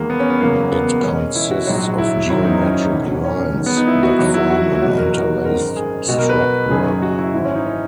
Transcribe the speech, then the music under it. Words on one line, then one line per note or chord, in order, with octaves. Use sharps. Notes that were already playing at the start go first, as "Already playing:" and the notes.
It consists of geometric lines that form an interlaced strapwork.
Already playing: E2 D#3 G#3 A#3
B3
C#4
B3
F#1 E2 C#3 F#3 A#3
B3
E2 B2 G#3 C#4
E4
F#4
A#1 G#2 F#3
E4
G#1 F#2 D#3 F#3 E4
D#4
C#4
E1 E2 D#3 F#3
C#4
C#4
E2 D#3 G#3
B3
D#4
E4
F#4
E2 D#3 F#3 F#4
E4
F#4
E4
E2 B2 F#3 F#4
A#4
A#4
G#1 F#2 D#3 G#3 A#4
G#4
B1 B2 G#3 F#4
A#4
B4
F#1 F#2 D#3 F#3 G#4
F#4
E4
G#1 G#2 E3 E4
C#4
D#4
C#4